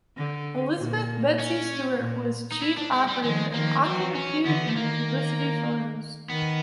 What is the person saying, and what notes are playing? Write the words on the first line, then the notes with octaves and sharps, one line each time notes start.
Elizabeth "Betsy" Stewart was chief operator, and often appeared in publicity photos.
D3
A#2
C#4
A#2
D#4
E4
D4
G#3
G3
D#3 F3 G#3
D#3 F3 A#3
E3 F#3 C4
C#4
D3 E3 B3
A3
D#3 A#3
D#3 B3